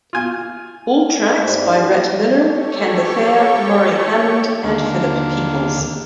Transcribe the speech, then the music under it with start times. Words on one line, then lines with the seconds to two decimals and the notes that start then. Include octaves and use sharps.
All tracks by Rhett Miller, Ken Bethea, Murry Hammond and Philip Peeples.
0.13 F4 G#5
1.44 G2 A#3 E4 G4 C5 D5
2.44 G4 A4 C#5 C#6
4.64 D#2 D3 A#3